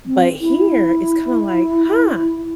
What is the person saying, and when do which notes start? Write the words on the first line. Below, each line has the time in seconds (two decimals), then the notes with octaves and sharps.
but here it's kinda, like, "Huh,
0.06 C4
0.41 E4